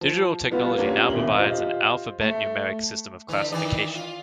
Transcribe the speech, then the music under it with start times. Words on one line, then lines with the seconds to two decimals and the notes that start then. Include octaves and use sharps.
Digital technology now provides an alphabet-numeric system of classification.
0.01 F3
0.51 G3 B3 F4 F#4 B4
0.77 A#3 C#4 D4 F4 G4
1.10 D#1 B2 E5 F#7
1.38 F4 G4 C5 D#5
2.21 A3
3.29 D3 E3
3.52 D#3 E3 D5
3.95 F4